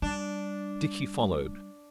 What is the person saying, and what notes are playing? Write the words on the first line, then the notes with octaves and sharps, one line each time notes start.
Dickie followed.
G3 D4